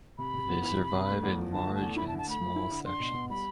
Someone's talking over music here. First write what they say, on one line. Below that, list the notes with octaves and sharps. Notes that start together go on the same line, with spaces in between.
They survive in large and small sections.
C3 B5
C3
B3
E3
C3
C3
A3
E2
F3
D3 A5
A3
A5
E2
E4 B5
A5
D3
A5
A3 B5
F3
E4
D3
D4 C6
B2
B3
G3 B5